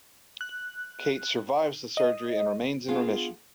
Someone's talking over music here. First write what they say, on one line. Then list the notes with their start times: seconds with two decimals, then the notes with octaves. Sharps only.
Kate survives the surgery and remains in remission.
0.41 F#6
1.97 D#5
2.88 B3 D4 F4 G#4 F5 A5